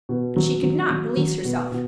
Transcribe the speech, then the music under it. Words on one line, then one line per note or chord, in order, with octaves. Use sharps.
But she could not release herself.
B2
F#3
F#3
F#3
F#3
B2
B2